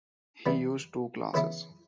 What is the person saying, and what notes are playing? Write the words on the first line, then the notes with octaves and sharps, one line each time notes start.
He used two classes.
E3 G3 B3
C#3 E3 B3 E4